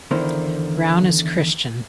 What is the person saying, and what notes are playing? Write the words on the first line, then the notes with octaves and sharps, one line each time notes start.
Brown is Christian.
E2 D3 D#3 A#3 E4 C5